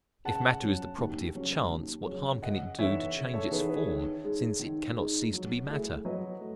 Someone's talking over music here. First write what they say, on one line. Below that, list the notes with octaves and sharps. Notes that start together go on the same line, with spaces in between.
If matter is the property of chance, what harm can it do to change its form since it can not cease to be matter?
C#3 F#5 A5
F#3 C#4
D#2
C#3 F#3 C#4
D#2
C#3 F#3 C#4
C#3 D#5 F#5
E3 B3 D#4 A4 C#5 E5
C#3
A4 C#5
E3 B3 D#4 G#4 A4 B4
G#4 B4
D#3 A4 C#5
G#3 D#4
D#3
G#3 D#4
F#3
A3 E4 G#4
F#3 B4 D#5
A3